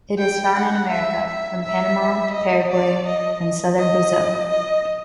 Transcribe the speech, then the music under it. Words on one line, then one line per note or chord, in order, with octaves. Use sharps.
It is found in America: from Panama to Paraguay and southern Brazil.
G5
F#5
E5
E5
E5
D#5
D5
D#5
D#5
D#5